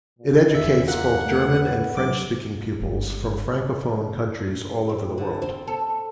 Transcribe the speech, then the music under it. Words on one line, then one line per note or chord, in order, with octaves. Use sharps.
It educates both German- and French-speaking pupils from francophone countries all over the world.
A#2
E2 E5
A#3 F4 F#5 F#6
A3 B3
F#3 D4 D6
G1 G#3
C4
D3
C4
A4